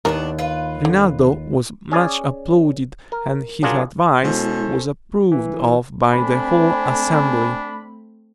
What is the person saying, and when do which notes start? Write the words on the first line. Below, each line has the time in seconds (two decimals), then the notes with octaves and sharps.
Rinaldo was much applauded, and his advice was approved of by the whole assembly.
0.05 D#2 G3 B3 D4 F#4 A#4
0.39 F4 B4
0.85 D3
1.91 C#4 G#4 D5
3.12 A#4
3.62 F#3 D4 F4 G#4 A#4 D5
4.23 B2 G#3 C#4 E4 A4 C5
5.32 E3
6.12 A3 C4 D4 C5 G5 G#5 B5